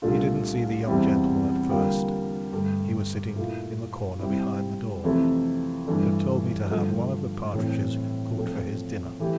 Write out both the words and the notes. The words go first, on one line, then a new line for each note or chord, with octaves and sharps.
He didn't see the young gentleman at first--he was sitting in the corner behind the door--but told me to have one of the partridges cooked for his dinner.
C2 A#2 A3 D4 F4
E2 C3 G3 C4 E4
D3 G3 A#3 F4
G2 D3 A3
A#2 A3 E4
C3 G3 C4 E4
F2 C3 E3 A3 E4
G2 E3 A3 D4
G2 D3 F3 A3
A2 E3 A3 C4
A#2 F3 A3 C4
E3 A3 E4 G4